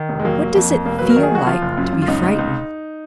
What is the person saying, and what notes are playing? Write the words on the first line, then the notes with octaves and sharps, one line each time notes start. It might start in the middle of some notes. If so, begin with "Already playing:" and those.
'What does it feel like to be frightened?'
Already playing: D#3
F1
G#3
F#3 A#3
F#3
F2
F2
F1 A#3
F#3 B4
A#4
D#3
G#4
F#3 F#4
F3 F4
F#1
F#2
F#2
F4
C#2 D#4
C#2
C#2